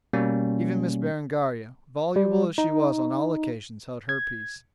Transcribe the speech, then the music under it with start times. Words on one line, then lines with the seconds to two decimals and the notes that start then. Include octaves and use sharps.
Even Miss Berengaria, voluble as she was on all occasions, held her peace.
0.13 B2 G3 A#3 C#4
2.16 G3
2.58 D#4
4.09 G#6